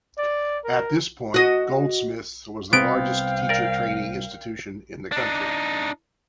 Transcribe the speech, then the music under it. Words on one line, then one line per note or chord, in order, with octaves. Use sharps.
At this point Goldsmiths was the largest teacher training institution in the country.
D5
A#4
F#4 D#5
C2 B3 C4 F5 G5 D7
A#4 D5
D4 D#4